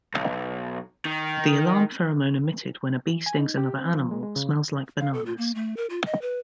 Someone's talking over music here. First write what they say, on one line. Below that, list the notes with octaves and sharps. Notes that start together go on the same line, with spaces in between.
The alarm pheromone emitted when a bee stings another animal smells like bananas.
B1
D#3
E3
G#5
D#4
G4
C4
F3
G#3
G#3
C#3
F5
A4
F4
A#3
A3
A#4
F4
D#5
B4